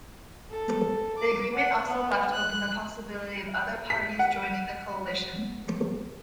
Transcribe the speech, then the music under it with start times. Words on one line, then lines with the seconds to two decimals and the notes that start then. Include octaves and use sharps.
The agreement also left open the possibility of other parties joining the coalition.
0.50 A4
1.17 D6
1.54 F#5
1.87 B3
2.32 F#6
3.90 B6
4.19 F#5